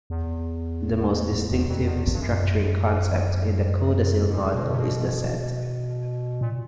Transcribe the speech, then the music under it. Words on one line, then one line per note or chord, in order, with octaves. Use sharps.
The most distinctive structuring concept in the Codasyl model is the set.
E2
E2
F2
E2
G2
F#2
F#2
F2
F#2
B2
C3
B2
A#2